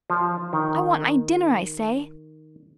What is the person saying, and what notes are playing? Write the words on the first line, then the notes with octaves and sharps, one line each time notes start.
"I want my dinner, I say."
F3
D#3